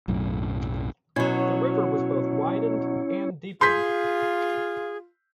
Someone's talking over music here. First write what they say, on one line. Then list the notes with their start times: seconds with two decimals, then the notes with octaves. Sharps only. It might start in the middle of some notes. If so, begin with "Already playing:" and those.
The river was both widened and deepened.
0.08 B1 F#2 A2
1.16 B2 F#3 C#4 E4 C#5
3.61 F4 G#4 C6 G6 B6